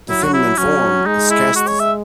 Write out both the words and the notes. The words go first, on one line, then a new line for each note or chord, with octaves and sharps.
The feminine form is castiza.
F#3 E4
F#4
E4
F#3 C#4
G#3 D#4
E4
G#3 F#4
C#5
E5